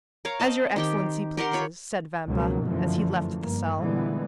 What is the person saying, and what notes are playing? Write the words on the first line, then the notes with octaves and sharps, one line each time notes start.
"As your excellency pleases," said Vampa, as he left the cell.
A#4 C#5 F5 A#5
C4 D#5 A5
D#3 G4 G5
G4 A#4 F#5 C6
F4 C#5 B5
C#2 B2 D#3 F3 F#3 A#3
F#2 D3 E3 F3 A3
G2 A#3
A#2 D3 E3 G3 G#3 B3